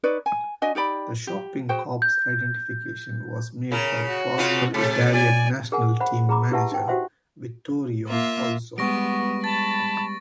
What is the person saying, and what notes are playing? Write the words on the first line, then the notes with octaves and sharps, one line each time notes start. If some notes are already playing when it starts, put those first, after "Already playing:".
The shocking corpse identification was made by former Italian National Team manager Vittorio Pozzo.
D#4 B4 C#5 D5
G#5
D4 F#4 D#5 G#5
D#4 G4 D5 B5
G4
F#4 G#4 C5 G5
G6
C#3 A#4
F#4
C#3 F4
C3 A3
D5 G#5
G#4 A#4 F#5 G#5
C5 F#5 B5
G#4 A#5 B5 D6
E4 G4 B4 E5 F#5 A5
D#4 G5
F#4 G4 C5 E5 F#5 C6
A#3 F4 E5
G3 G#3 B3 C#6 A#6 D7
A5 B5 A6